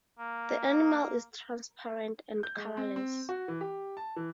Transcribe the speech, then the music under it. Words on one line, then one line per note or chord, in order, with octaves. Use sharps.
The animal is transparent and colourless.
A#3
G6
G#3
C4
C4
F#4
E3
G4
A5
E3